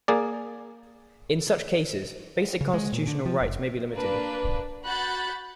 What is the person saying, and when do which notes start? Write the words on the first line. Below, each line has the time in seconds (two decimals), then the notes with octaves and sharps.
In such cases, basic constitutional rights may be limited.
0.08 A#3 G#4 D5
2.61 C#3
2.73 G#3
2.92 A#2
3.07 D3
3.25 F3
3.40 F1
3.93 A#3 D4 B4
4.85 F#4 B5 F#6 G6 A6